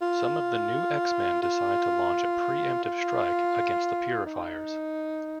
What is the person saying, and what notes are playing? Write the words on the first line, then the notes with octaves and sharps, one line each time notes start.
Some of the New-X-Men decide to launch a pre-emptive strike against the Purifiers.
F4
F4
F4
D#4